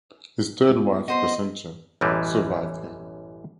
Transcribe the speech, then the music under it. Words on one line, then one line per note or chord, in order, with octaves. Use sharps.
His third wife, Cresentia, survived him.
G#3 B3 F4
B3 F#4 C5 D#5 C6
A1 F#2 B2 E3 G3 G#3